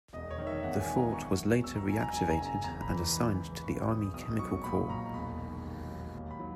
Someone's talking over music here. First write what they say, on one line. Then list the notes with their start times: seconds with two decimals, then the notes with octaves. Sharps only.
The Fort was later reactivated and assigned to the Army Chemical Corps.
0.13 E1 D#5
0.31 C#5
0.38 D#3
0.47 E5
0.63 E2 F#5
0.80 G#5
0.89 E1
0.97 A#5
1.13 B1 C#6
1.38 F#3
1.64 B2 E6
1.76 A#5
1.88 B1 G#5
2.01 A#5
2.14 F#1 G#5
2.30 A#5
2.38 C#3 G#5
2.64 E2 A#5
2.81 B5
2.88 E3 A#5
3.13 C#2 B5
3.38 E3
3.58 B5
3.64 C#3 C#6
3.89 C#2 D#6
4.14 B1 D#6
4.39 F#3 C#6
4.64 A#2 B5
4.90 B1 A#5
5.14 E1 B5
5.39 D#3
5.64 D#2
5.89 F#3
6.14 D#2
6.31 B5
6.39 F#3